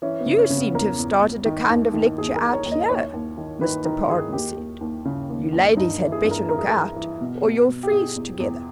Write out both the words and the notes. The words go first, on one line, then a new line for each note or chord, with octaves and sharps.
"You seem to have started a kind of lecture out here," Mr. Pardon said. "You ladies had better look out, or you'll freeze together!"
E3 C#4
B3
C#3
C#4
C#3
B3
E2 A#4
E2
E2
D#3
D#2
D#3
D#2 G#4
A#4
D#3
C#5
D#2
D#5
D#2 C#5
D#2
D#3
D#3 B4
D#3 A#4
D#3 G#4
D#2 G4
D#2
D#2
C#3
D#2
D#2
G2 D#4
E3
G#4
G2
A#4
E3 A#4
G#4
E3 A#4
E3
B2
B2
B2
G4
B2 G#4
E2
E2